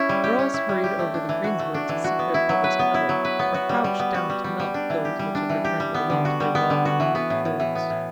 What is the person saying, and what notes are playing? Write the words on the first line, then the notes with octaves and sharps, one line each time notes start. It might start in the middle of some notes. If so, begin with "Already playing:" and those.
Girls hurried over the greensward to seek their fathers' cattle, or crouched down to milk those which had returned alone to their well-remembered folds.
Already playing: C#4 E4
G3
G4
C#4
E4
G3
G4
A3
D4
E3
F#4
A3
D4
E3
F#4
B3
E4
F#3
B4
B3
E4
F#3
B4
B3
F#4
G3
G3
B3
F#4
G3
G3
G3
D4
E3
G4
G3
D4
E3
G4
G3
B3
D3
F#4
G3
B3
D3
F#4
E3
B3
A2
A2
E3
B3
A2